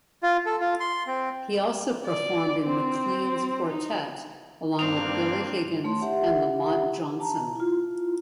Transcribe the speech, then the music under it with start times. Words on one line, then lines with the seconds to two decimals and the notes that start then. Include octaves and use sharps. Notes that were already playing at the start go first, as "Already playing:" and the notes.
He also performed in McLean's quartet, along with Billy Higgins and LaMont Johnson.
0.23 F4
0.46 A4
0.61 F4
0.80 C6
1.07 C4
2.06 D5
2.64 C4
3.67 D#4
4.79 G2 A#3 C4 D4 F7
5.85 A3 C#5 C6
6.01 G4 E5 F#5
7.20 A5 A#5
7.56 E4 F4